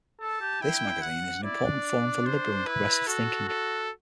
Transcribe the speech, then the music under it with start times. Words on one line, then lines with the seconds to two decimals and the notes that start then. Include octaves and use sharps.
This magazine is an important forum for liberal and progressive thinking.
0.21 A4 A5
0.41 G4
0.62 E4 G5
1.02 F#5
1.44 E4 D5
1.64 D4
2.26 C5
2.66 E4 B4
3.07 F#4 A4
3.48 A4